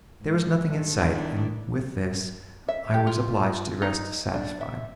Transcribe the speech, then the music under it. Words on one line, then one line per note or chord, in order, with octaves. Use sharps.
There was nothing in sight, and with this I was obliged to rest satisfied.
G#2
G2 D3 A4
D#3 D4 E4
E5
G4
F4
D#4
D4
E5